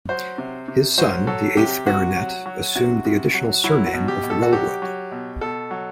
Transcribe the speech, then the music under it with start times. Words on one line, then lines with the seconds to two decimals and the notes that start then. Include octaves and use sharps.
His son, the eighth Baronet, assumed the additional surname of Wellwood.
0.09 F#3 C5
0.38 C3
0.68 C3
0.98 F#3 C5
1.27 F#3 A4
1.57 C3 G4
1.86 C3 F#4
2.16 F#3
2.46 F#3
2.75 C3 F#4
3.05 C3
3.34 F#3
3.64 F#3 E4
3.86 F#4
3.93 B2
4.08 G4
4.23 B2
4.30 A4
4.42 F#4
4.53 F#3 G4
4.82 F#3
5.12 B2
5.41 B2 A4
5.71 F#3